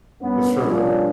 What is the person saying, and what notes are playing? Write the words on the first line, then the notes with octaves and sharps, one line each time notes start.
that's true.
G2 B3 C#4
F3 G3 A#3 C#4 D4 F4